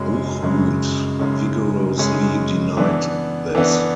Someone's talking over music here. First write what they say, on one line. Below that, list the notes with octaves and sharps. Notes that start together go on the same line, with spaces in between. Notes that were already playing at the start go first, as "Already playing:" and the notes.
Hochhuth vigorously denied this.
Already playing: F#2 C#3 G#3 C#4
F#2 C#3 G#3 C#4
F#2 C#3 G#3 C#4
F#2 C#3 G#3 C#4
E3 B3 D4
E3 B3 D4